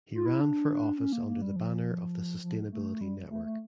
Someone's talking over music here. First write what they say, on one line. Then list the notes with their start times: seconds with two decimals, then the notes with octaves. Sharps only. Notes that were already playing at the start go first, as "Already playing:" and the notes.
He ran for office under the banner of the Sustainability Network.
0.15 F4
0.26 E4
0.40 D4
0.98 C#4
1.13 A#3
1.27 A#3
1.42 G3
1.56 F3
2.43 F3
2.72 A3
3.01 G3
3.30 A3
3.45 A3